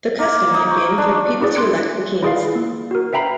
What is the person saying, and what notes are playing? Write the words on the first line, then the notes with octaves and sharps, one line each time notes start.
The custom had been for the people to elect the kings.
A#3
D#4
C#6
D4
D4 E4 G4 G#4 D5
C6 D6 F#6 G#6 C#7 D7
E4 F4 G#4 B4 D5 F5
A#3
F#4 A#4
B4 E5 G5 A#5 B5 C7